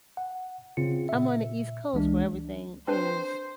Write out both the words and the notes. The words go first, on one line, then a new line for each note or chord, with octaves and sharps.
I'm on the East Coast where everything is
F#5
C#3 C4 F4 C#7
A#2 E5
C#2 E3 G#3 D4
C4 D4 B4 C5